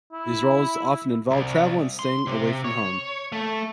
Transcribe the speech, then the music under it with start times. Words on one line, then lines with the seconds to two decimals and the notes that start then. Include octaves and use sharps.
These roles often involved travel and staying away from home.
0.12 E4
1.31 C2
1.99 C6
2.27 C3
2.65 C#5
3.32 A3